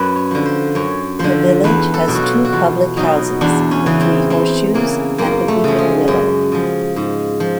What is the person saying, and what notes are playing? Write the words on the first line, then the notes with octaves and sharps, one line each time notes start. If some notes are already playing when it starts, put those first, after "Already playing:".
The village has two Public Houses - The Three Horseshoes, and The Weeping Willow.
Already playing: F#2 B4
C#5
D3 F3
C5
F#2 C#5
D3 F3 C5
E2 B4
A4
B2 F#3
F#4
F4
F#4
E2 F4
B2 F#3 D#4
E2 D4
C#4
C#3 E3
C4
E2 C4
C#3 E3 A#3
F#2 A#3
A3
C#3 F3
G#3
F#2
C#3 F3
G#2
F3